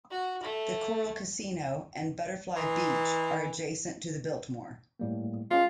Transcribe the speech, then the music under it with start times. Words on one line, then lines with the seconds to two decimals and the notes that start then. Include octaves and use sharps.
The 'Coral Casino' and 'Butterfly Beach' are adjacent to the Biltmore.
0.11 F#4
0.43 A3
2.56 E3 D#5 A#5 C6
4.99 A2 G3 A#3
5.51 G#3 C#4 F4 G#4